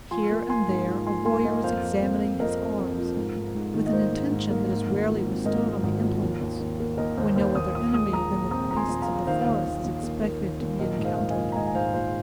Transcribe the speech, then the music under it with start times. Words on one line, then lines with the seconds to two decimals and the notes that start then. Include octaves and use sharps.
Here and there a warrior was examining his arms, with an attention that is rarely bestowed on the implements, when no other enemy than the beasts of the forest is expected to be encountered.
0.11 F3 G#5 C6
0.30 A#3
0.49 F3 G#5 C6
0.68 G#2
0.87 F3
1.06 F3 G#5 C6
1.25 A#3 G#5 C6
1.45 A#3 D#5 G#5
1.63 F2 C5 F5
1.83 F3
2.02 C4
2.21 C4
2.40 F2 A#4 D#5
2.59 C4
2.79 F2
2.98 F3
3.17 G#2
3.36 G#2
3.55 G#2
3.74 D#3
3.86 D#5
3.93 A#3 C5
4.11 G#2
4.31 G#2
4.50 A#3
4.69 G#2
4.88 G#1
5.08 F3
5.26 C4
5.45 G#2 A#4 D#5
5.64 F3
5.83 G#1
6.02 F3
6.21 D#2
6.41 D#2
6.60 D#2
6.79 A#3
6.97 D#2 A#4 D#5
7.17 D#2 C5
7.36 D#2 C5
7.55 D#2 D#6
7.75 A#2 D#6
7.94 G#3 D#6
8.13 A#1 A#5 D#6
8.32 A#1
8.51 C4 A#5 D#6
8.70 A#1 A#5
8.76 G#5 C6
8.88 A#1
9.02 F5 A#5
9.08 A#1
9.27 D#3 C5 F5
9.46 D#2
9.65 D#2
9.84 D#2
10.03 A#3
10.22 A#3
10.41 D#2
10.61 D#2
10.79 A#1 A#4 D#5
10.99 G#2 D#5
11.05 C5 F5
11.17 A#1
11.30 D#5 G#5
11.36 A#1
11.52 A#5
11.55 G#2 D#5 G#5
11.67 G#5
11.75 G#2 C5 F5
11.94 A#1 C5